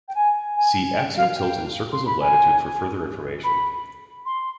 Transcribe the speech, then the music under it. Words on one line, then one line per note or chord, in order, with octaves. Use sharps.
See axial tilt and circles of latitude for further information.
G5
G#5
G#5
G5
F5
G5
C6
B5
G#5
B5
C6